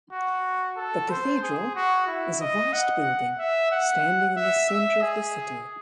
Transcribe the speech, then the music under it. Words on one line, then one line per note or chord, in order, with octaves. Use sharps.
The cathedral is a vast building, standing in the center of the city.
F#4
A4
C5
G#4
F#4
E4
D#5
F#5
E5
F#5
E5
E5
G#4